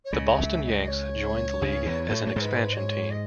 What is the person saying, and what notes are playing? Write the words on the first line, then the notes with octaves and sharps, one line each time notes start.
The Boston Yanks joined the league as an expansion team.
C#5
C#2 C#3 D#5
E5
E5
D#5
C#5
C#2 C#3
E2 E3
A2 A3
A3
G#2 G#3 B4 C#5
D#5
C#5
D#5